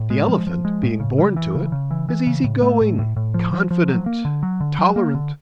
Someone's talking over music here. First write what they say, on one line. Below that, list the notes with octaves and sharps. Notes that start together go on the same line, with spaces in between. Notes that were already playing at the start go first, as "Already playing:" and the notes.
The elephant, being born to it, is easy-going, confident, tolerant.
Already playing: A2
G#3
F3
F3
G#3
A2
C#3
G3
E3
C#3
C#3
E3
E3
C#3
A2
A3
A2
A2
A2
F3
F3
F3
F#3
A#3
D3
F#3
D3
F#3
A#3
D3